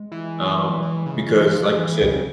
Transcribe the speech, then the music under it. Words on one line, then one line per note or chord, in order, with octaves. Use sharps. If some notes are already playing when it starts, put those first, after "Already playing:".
um, because like you said
Already playing: G#3
E3
E3
E3
C#3
E3
F3 G#3
E3 G#3
E3
A#3
C#3 C4